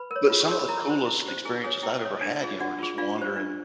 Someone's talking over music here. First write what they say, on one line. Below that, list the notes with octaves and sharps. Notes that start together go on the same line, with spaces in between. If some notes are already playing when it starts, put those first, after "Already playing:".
But some of the coolest experiences I've ever had, you know, are just wandering
Already playing: B4 B5
A#4
C#5
F4
C#6
A#4 C#5 C6
B5
E4 A#4 A#5
G4 C5
E4
G4 C5
E4 G#4 G#5
G#4 A4 C#5 G#5
E4 G4 G5
A4 C#5
D4
F4 G#4
D4 F#4 F#5
F4 G#4
D4 F4 F5
G4 C5
D4